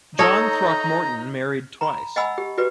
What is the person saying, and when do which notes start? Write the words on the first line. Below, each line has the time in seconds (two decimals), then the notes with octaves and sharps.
John Throckmorton married twice.
0.19 D#4 A4 C#5 D#5 A#5
1.81 A#5 B5
2.16 D#5 F#5 G#5 B5 E6
2.38 G4
2.58 F#4 G4 B4 D5